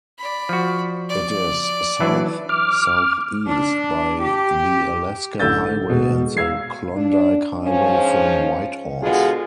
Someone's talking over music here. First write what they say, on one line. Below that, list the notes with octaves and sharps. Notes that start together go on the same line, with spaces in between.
It is south-southeast by the Alaska Highway and the Klondike Highway from Whitehorse.
D5 B5
F3 F#4
D5
E3 F#3 D4
D6 F6
D4
G4
A1 D3 E6 G6 A6
B2 G#3
F5 E6 G#6 C7
D4
G#2 F3 C#4
B2 D3 G#3 F4 F#4 G#4